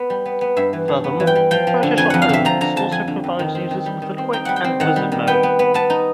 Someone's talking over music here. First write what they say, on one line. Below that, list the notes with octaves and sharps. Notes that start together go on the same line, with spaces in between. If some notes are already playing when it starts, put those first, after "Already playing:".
Furthermore, Photoshop Elements also provides users with a quick and wizard mode.
Already playing: B3
G3
B3
B3
G2 E5
E3
G2
B3
E3
G5
G3
F3 G5
F3
D3
F2 G#5
F2 F#5
F5
D3 E5
F3 A#5
D3 A#5
F2 A5
F2 G#5
D3
F2
D#3
C4
D#3
G3
D#3
C4
D#4 G5
G3 F#5
G5
C4
D#3 F#5
G3
D#3
B3 G5
B3
B3
B3 A5
D#4